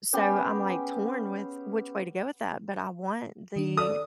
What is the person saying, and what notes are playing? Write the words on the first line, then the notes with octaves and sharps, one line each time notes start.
so, I'm, like, torn with which way to go with that, but I want the
B3 C#4 G4 G#4
D#3 D4
A4 D5 D#6